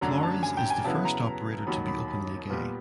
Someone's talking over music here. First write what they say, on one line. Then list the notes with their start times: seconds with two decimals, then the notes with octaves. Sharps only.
Flores is the first operator to be openly gay.
0.01 F#2 D3 F#3 A3 D4 A#5
0.23 A5
0.43 G#5
0.57 G5
0.70 G#5
0.84 C#3 F#3 B3 E4 A5
1.05 A#5
1.67 D#2 D#3 F#3 B5
1.88 B5
2.08 B5
2.50 A#2 G3 B3